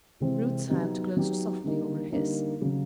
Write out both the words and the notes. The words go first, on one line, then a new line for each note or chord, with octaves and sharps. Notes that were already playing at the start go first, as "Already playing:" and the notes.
Ruth's hand closed softly over his.
C3 E3 G#3 C4
F#3 B3 D#4 G4
F#3 B3 D#4 G4
D3 G3 A#3 D#4
D3 G3 A#3 D#4
C#3 F#3